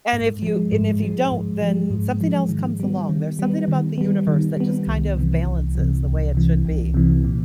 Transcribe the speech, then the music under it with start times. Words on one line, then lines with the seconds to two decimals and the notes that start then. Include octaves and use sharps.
And if you and if you don't, then something else comes along. There's something about the universe that just kind of balances the way it should be.
0.13 G#2
0.42 F3 G#3
0.72 G#2
1.02 F3 G#3
1.31 G#2
1.61 F3 G#3
1.90 G#2
2.21 F3 G#3
2.49 D#3
2.80 G3 B3
3.09 D#3
3.39 G3 B3
3.68 D#3
3.98 G3 B3
4.27 D#3
4.57 G3 B3
4.87 C2
5.17 C3 E3
5.47 C2
5.75 C3 E3
6.06 C2
6.35 C3 E3
6.65 C2
6.94 C3 E3
7.24 A#2